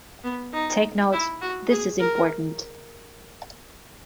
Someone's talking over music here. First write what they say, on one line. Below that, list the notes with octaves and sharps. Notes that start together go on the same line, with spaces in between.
Take notes; this is important.
B3
D#4
E4
F#4
G#4
A#4